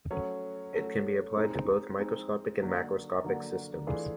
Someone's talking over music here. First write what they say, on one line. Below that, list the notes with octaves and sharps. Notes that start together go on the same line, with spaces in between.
It can be applied to both microscopic and macroscopic systems.
F#3 A3 C#4
F#3 A3 C#4
G#3 C4 D#4
G#3 C4 D#4
D3 F#3 A#3 D4
D3 F#3 A#3 D4
E3 A3 D4 F4 G#4